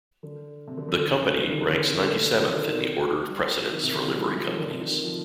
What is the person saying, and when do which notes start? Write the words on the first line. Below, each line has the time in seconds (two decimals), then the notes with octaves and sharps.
The Company ranks ninety-seventh in the order of precedence for Livery Companies.
0.23 D3
0.67 C3
0.77 D3
0.89 D3
1.00 D3
1.10 D#3
1.21 D3
1.43 D#3
1.53 D3
1.68 D3
1.84 C3
1.98 D3
2.41 D#3
2.49 D3
2.58 D#3
3.29 G3
3.73 D#3
3.83 C3
3.94 D3
4.05 F3
4.15 G#3
4.27 G3
4.38 F3
4.48 D#3
4.59 D3
4.70 C3
4.81 D#3
5.04 F3